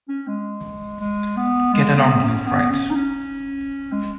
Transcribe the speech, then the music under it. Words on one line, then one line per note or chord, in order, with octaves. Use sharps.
Get along, you fright!
C#4
G#3
G#3
B3
G#3
B3
C#4
B3
C#4
D#4
C#4
G#3